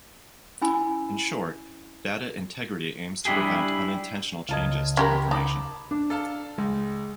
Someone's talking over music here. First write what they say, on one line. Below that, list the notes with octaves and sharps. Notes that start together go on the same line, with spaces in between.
In short, data integrity aims to prevent unintentional changes to information.
C#4 E4 G#5 B5 E6
G3 D4 E4 G4 G#4
C#2 F4 D#5 A5 G#6
C#4 G4 A#4 B5 C6 G#6
D#4 A5 B5 D6
D4
A4 F5 A5
C#2 G#3